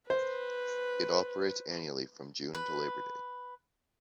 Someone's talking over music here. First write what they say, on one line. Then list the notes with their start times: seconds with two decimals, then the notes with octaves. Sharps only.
It operates annually from June to Labor Day.
0.10 B4 C5
2.55 B4